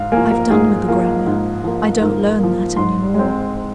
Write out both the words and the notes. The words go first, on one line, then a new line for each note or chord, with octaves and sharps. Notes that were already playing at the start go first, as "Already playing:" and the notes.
"I've done with the grammar; I don't learn that any more."
Already playing: G#2 F5
F3 A#3 G#5
A#4
G#2 G#4
F3 A#3
G#2
F3 A#3
G#2 A#4
F3 A#3
G#2 C6
G#3 C4